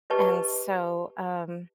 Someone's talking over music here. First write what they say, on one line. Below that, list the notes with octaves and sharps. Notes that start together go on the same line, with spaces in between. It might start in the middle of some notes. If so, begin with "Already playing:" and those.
And so, um,
G4 G#4 B4 D#5 A5 C#6